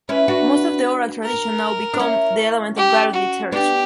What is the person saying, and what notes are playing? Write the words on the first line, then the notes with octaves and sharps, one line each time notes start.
Most of the oral tradition now become the element of Garo literature.
C#4 E4 B4
D4 F#4
A#4
D4
C#4 E4
G4
F#4
B3 D4 G4